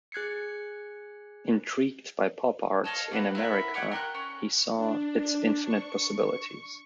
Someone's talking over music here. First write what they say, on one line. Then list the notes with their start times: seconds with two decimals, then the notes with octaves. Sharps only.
Intrigued by pop art in America, he saw its infinite possibilities.
0.12 G#4 F#6 G#6 C7 C#7
2.84 A4 C#5 D#5 F5
3.12 A#3 C4 F#4 B4
3.35 E4 A#4 E5 F#5
3.74 G4 C#5 F#5
3.91 A#4 G5 B5 F#6
4.14 C#4
4.77 D4
5.63 C#6